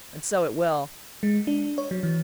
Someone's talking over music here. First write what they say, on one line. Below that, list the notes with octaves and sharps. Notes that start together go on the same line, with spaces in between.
And so it will.
G#3
D4
C#5
F#3
E3